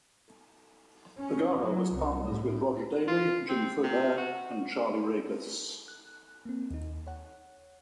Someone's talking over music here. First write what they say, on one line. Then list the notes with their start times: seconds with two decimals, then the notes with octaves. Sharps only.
Vergara was partners with Roger Daley, Jim Fobair and Charlie Ragus.
1.18 C#4
1.56 F#3
1.94 C2
2.28 A2
3.08 F4
3.49 C4
3.83 C3
4.17 F#4
5.88 F#6
6.45 A#3 C4
6.71 D#2 D#4
7.07 C#5 F#5